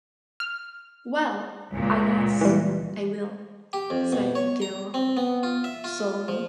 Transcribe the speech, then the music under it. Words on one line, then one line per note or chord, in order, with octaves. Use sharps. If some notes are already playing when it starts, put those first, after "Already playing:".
"Well — I guess — I will," said Gill slowly.
F6
C#2 A#2
E3 G3
G4
F2
B2
C#5
A#5
C4
B3
F4
E5
F4
F3